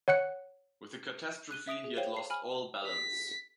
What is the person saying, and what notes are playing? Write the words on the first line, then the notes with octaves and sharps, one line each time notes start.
With the catastrophe he had lost all balance.
C#5 F#5 F#6 C#7
F#6 D#7 G7
E5 D#6 D7 F7
G#4
C5 C#5 F5 G5 G7
C7
G#5 B5 F6
B6